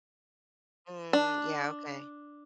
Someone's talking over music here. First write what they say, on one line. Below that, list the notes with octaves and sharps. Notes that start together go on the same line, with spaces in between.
Mm, yeah, okay.
D4